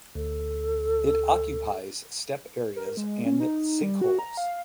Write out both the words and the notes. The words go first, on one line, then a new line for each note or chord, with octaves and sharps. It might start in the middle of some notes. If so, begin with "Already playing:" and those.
It occupies steppe areas and sinkholes.
D2 A4
A#4
G#3
C#4
D#4
G3
F#4
A#5
F5